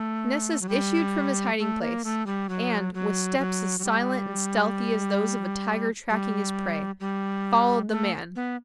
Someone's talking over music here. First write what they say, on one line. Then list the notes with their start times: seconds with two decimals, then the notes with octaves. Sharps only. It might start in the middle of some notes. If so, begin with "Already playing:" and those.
Nessus issued from his hiding place, and, with steps as silent and stealthy as those of a tiger tracking his prey, followed the man.
Already playing: A3
0.61 F#3
0.69 G3
1.59 A3
1.81 A#3
2.04 A3
2.26 G3
2.49 F#3
2.94 F#3
3.39 F#3
3.79 F#3
3.84 G3
6.10 G3
7.00 G3
7.91 A3
8.36 B3